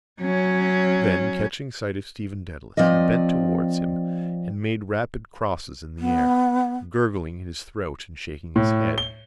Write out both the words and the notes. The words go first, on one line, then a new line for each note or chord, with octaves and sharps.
Then, catching sight of Stephen Dedalus, he bent towards him and made rapid crosses in the air, gurgling in his throat and shaking his head.
F#3 C#4
F3 C4 D5 D#5
B3
A2
G7